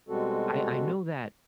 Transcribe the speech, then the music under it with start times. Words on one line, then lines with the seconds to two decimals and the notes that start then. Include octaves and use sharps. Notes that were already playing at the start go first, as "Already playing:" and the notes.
I I know that,
0.09 B2 G3 G#3 C4 F#4 A4